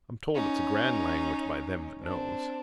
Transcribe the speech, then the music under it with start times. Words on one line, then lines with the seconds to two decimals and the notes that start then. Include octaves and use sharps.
I'm told it's a grand language by them that knows.
0.35 C#4 D#4
2.03 C4 D4